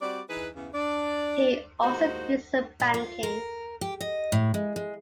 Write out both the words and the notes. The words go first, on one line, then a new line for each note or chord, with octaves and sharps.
He also did some banking.
G3 C4 F#4 D5
E3 D#4 G#4 B4
C#3 E3 B3
D4 D5
D#2 A2 G#3 D#4 F#4 C5
A#2
F4
A#4
G4
D#5
A2
G#3
G#3